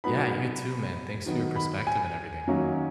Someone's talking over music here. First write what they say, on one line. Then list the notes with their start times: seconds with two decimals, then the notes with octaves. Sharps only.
Yeah, you too man. Thanks for your perspective and everything.
0.04 B2 F#3 B3 D#4 B5
1.26 D#3 F#3 B3
1.56 B5
1.87 G#5
2.47 F#2 D#3 F#3 A#3 C#4